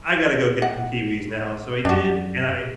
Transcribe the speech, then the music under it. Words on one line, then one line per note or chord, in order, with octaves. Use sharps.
"I gotta go get some kiwis now." So, I did, and I
F#5
F#2 D4 F#4